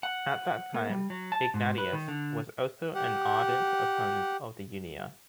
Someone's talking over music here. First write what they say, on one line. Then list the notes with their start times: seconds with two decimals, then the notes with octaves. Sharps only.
At that time, Ignatius was also an ardent opponent of the Unia.
0.03 F#5
0.74 A#3
0.90 G3
1.10 F#3
1.32 A5
1.54 G#2
1.78 B4
1.93 D#3
2.08 D3
2.94 G4 F#5